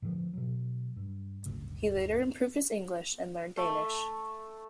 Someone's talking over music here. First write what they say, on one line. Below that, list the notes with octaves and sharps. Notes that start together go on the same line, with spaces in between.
He later improved his English and learned Danish.
A2 D3 D#3 F3
B2 F#3
G2
D1 G1 D2 C#3
C4
A3